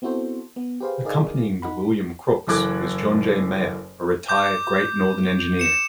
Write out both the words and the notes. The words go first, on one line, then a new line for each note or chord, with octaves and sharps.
Accompanying the "William Crooks" was John J. Maher, a retired Great Northern engineer.
B3 C4 E4 F#4 A4 C5
B3
G4 G#4 B4 C5 F5
D#4 G#4 A#4 D5 D#5 F5
D#4 F#5 B5
F#1 E3 A4 D6 F#6 G#6
D6 G6
C#7 E7